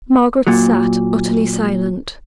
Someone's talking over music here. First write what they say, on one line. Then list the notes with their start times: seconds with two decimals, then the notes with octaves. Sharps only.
Margaret sat utterly silent.
0.47 A#2 F#3